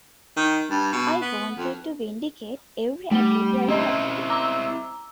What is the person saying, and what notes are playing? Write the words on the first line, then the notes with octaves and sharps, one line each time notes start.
I wanted to vindicate every ability I had.
D#3
G2
B2
B3
F2
G3 A3 G7
C4 C#4 E4 C5 D#5
A#5 D6 E6